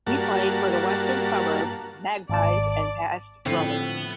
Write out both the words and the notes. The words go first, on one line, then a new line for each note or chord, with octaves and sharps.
He played for the Western Suburbs Magpies and Past Brothers.
G2 A#3 F#4 A5
G#1 D5 A5
A2 D3 F3 B3 C4 B4 C7